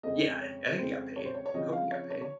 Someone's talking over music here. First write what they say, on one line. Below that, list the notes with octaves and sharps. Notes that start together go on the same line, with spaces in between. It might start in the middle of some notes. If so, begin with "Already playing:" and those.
Yeah! I think he got paid. I hope he got paid.
F2 C#3 G#3 C4 D#5
C#5
F2 C#3 G#3 C4 C5
C#5
C5
C#5
C#5
C#3 F3 C4 D#5
F5
C#5
C#5
C#5